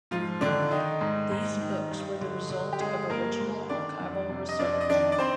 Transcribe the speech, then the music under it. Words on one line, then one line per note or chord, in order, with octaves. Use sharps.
These books were the result of original archival research.
G#2 F3 F4
D3 D#3 D4
D#3 D#4
G#2
G#2
D#3
G2
D3
D3
G4
G2 G#3 G#4
G2 A#3 A#4
D3
D#3 D4 D5
F2
C3
D#5
F2 D4 D5
D#5
D#3 D4 D5
D5
C4 C5